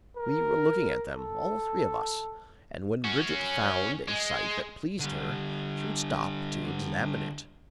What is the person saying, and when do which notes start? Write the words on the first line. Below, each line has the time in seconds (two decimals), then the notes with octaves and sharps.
We were looking at them, all three of us, and when Brigitte found a site that pleased her, she would stop to examine it.
0.17 A#4
1.13 A4
3.04 C#4 F#4
4.08 G#3
5.00 D3 G3